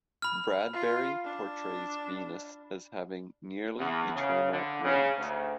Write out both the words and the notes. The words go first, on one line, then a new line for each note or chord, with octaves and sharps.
Bradbury portrays Venus as having nearly eternal rains.
B5 F6
F4
D4
E2
C#3
D3
C#3
D2